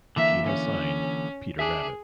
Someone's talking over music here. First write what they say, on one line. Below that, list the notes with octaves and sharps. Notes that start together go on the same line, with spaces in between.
She has signed "Peter Rabbit"!
D3 E3 A#3 E5
C#4
D4 G#4 E5